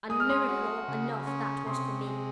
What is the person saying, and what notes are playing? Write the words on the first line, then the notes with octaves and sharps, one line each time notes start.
And miracle enough that was for me.
G#3 D#6
F6
C6 D#6
F#4
C#3
C#4
C3 C6 D#6
G#3